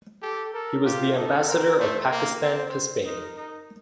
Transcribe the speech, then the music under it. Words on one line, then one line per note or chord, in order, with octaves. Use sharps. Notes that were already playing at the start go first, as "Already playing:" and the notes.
He was the ambassador of Pakistan to Spain.
G4 A4
A4 A#4
F4 G4
D#4 A4
C4 A#4
A3 C5
A#3 A#4
C4
C5
D#4 A#4
D#4